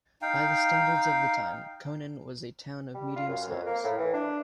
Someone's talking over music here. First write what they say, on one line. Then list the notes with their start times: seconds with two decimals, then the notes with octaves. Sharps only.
By the standards of the time, Konin was a town of medium size.
0.22 D#4 F5 G5
2.94 G3
3.16 F4
3.28 F#2
3.50 F2
3.66 A#3
3.84 A2
3.98 E3
4.13 D4